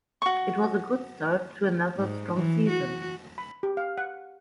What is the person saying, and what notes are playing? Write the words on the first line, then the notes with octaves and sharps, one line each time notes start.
It was a good start to another strong season.
F#4 C#6
G#2
E3
F#4
B5
G4
F5
F#5